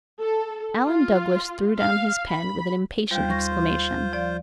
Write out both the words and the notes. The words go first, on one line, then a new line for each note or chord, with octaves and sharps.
Alan Douglas threw down his pen with an impatient exclamation.
A4
F4
F5
B5
D#2 G3 F4 C5
C#6 A#6
F3 D5